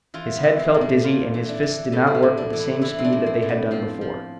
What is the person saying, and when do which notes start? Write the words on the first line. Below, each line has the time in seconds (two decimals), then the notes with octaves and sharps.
His head felt dizzy and his fists did not work with the same speed that they had done before.
0.14 E3 F4
0.37 B3
0.43 E3
0.59 C4
0.74 A2
0.81 D4
1.03 A2 F4
1.34 E3
1.49 D4
1.63 E3
1.92 A2 A3
2.07 C4
2.15 B3
2.23 A2
2.37 D4
2.53 E3
2.60 E4
2.82 E3 E4
2.98 C4
3.05 D4
3.13 A2
3.26 C4
3.42 A2
3.49 B3
3.71 F3 C4
4.01 F3